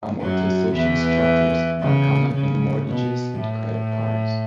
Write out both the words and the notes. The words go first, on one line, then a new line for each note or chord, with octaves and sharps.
Amortization structures are common in mortgages and credit cards.
F#2 F#3
E2 E3
C#3
C#3
B2
A2